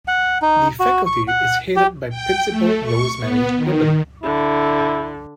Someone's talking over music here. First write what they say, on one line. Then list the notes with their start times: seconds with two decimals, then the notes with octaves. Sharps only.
The faculty is headed by Principal Rosemary Libbon.
0.08 F#5
0.42 D#4
0.80 F#4
1.06 C#6
1.28 F#5
1.76 G4
2.09 G5
2.49 A3
2.82 C#6
3.18 B3
3.54 D#3
4.23 D3 E4